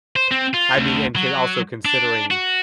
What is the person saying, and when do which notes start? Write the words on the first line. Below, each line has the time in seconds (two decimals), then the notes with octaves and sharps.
I mean and can also considering
0.16 C5
0.32 C4
0.54 F4
0.78 D2
1.16 F#3
1.85 D4
2.31 F#4